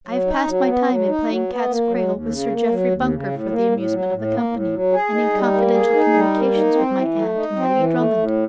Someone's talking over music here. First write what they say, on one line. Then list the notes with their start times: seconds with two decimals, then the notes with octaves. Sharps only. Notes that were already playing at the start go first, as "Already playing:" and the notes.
I have passed my time in playing cat's cradle with Sir Jeffrey Bunker for the amusement of the company, and in confidential communications with my aunt and Lady Drummond.
0.07 F#3
0.27 D#4
0.48 F#3
0.67 B3
0.87 F#3
1.08 D#4
1.28 F#3
1.49 B3
1.69 A#3
1.89 F#3
2.09 D#2
2.29 C#3
2.50 A#3
2.69 F#3
2.91 D#2
3.11 C#3
3.31 A2
3.51 A#3
3.72 A2
3.91 F#3
4.12 A2
4.32 A#3
4.52 A2
4.72 F#3
4.92 G#4
5.13 D#4
5.33 G3
5.53 A#3
5.73 G#4
5.94 D#4
6.14 G3
6.34 A#3
6.54 D#4
6.74 C4
6.95 E3
7.15 A3
7.35 D#4
7.56 C4
7.76 E3
7.96 A3
8.17 A2